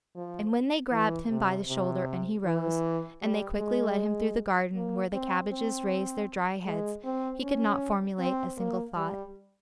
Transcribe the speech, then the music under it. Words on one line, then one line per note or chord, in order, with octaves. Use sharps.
And when they grabbed him by the shoulder and he rose, and they quickly led him through the garden where the cabbages raised their dry heads, he could not formulate a single thought.
F3
E3
C3
C3
E3
G3
G#3
A#3
C4
C4
G#3
C4
C#4
C4
A#3
G3